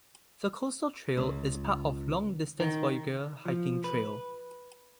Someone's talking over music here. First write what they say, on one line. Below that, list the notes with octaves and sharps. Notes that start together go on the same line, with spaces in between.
The Coastal Trail is part of the long-distance Voyageur Hiking Trail.
C#2
D#3
F3
B4